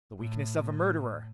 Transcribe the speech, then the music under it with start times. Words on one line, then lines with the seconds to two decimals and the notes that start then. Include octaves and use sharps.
"The weakness of a murderer!"
0.18 A2